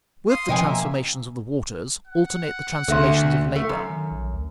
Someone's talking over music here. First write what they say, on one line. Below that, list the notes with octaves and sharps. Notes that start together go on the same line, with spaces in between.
With the transformations of the waters alternate the transformations of labor.
F5 C6 D#6
B2 F3 C#4 D#5 G5 G#5
A#3 E5
F#5
D2 A4 E5 C6
A3
F#2
D#3
A#1
D2